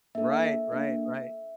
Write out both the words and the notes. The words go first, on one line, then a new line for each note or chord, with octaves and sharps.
Right, right, right.
A#3 D4 A4 E5
A#3 D4 A4